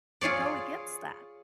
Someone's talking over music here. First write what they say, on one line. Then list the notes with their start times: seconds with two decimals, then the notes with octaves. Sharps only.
could go against that?
0.21 F4 G#4 C#5 D5